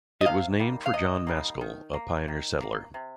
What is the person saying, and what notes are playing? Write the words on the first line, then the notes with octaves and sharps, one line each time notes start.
It was named for John Maskell, a pioneer settler.
D#5
C3 F5
D#3 G3 A#3
F5
C3 D#5
D#3 G3 A#3
D#3
A#3
D#3
A#3
C3